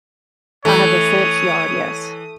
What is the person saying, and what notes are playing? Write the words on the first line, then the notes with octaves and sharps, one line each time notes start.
I have a fence yard, yes.
E3 A3 C#5 D#6